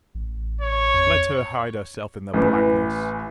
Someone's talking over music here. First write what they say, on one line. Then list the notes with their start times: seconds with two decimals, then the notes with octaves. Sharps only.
Let her hide herself in the blackness.
0.15 A1
0.61 C#5
0.94 F2
2.34 A1 E3